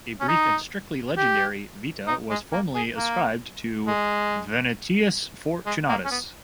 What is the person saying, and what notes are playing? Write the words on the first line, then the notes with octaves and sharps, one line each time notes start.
A brief and strictly legendary "Vita" was formerly ascribed to Venantius Fortunatus.
C#4
D#4
G4
D#4
G#3
A#3
G#4
A#3
G#3
G#3
A#3
C#4
B3